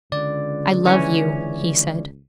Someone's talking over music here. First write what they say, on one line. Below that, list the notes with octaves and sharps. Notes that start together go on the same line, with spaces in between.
'I love you,' he said.
C#2 D3 D5
E3 C#4